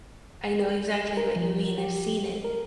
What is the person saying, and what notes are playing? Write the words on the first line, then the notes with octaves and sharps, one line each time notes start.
I know exactly what you mean, I've seen it,
A#4
F3
G4
A#4